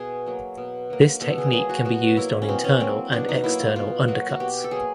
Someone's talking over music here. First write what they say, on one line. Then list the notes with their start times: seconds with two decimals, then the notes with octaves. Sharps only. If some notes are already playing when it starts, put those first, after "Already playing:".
This technique can be used on internal and external undercuts.
Already playing: B2 G#4
0.26 F#3 A#3
0.57 B2
0.90 F#3 A#3
1.21 B2 A4
1.38 G#4
1.53 F#3 A#3 G#4
1.69 F#4
1.85 B2 F#4
2.17 F#3 A#3 E4
2.42 C#4
2.49 B2 C4
2.64 C#4
2.80 F#3 A#3 C4
3.12 B2 D4
3.29 D#4
3.44 F#3 A#3 E4
3.60 F4
3.76 B2 F4
4.08 F#3 A#3 F#4
4.29 F#4
4.40 B2 G4
4.64 A4
4.71 F#3 A#3 G#4